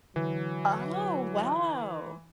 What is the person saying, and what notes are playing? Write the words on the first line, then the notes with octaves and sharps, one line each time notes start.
Oh, wow!
D3 E3 F#3